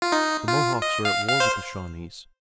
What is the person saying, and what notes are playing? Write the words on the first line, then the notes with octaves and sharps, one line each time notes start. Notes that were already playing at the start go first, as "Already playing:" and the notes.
The Mohawks are at war with the Shawnees.
F4
D#4
F4
D#5
F5
F5
C5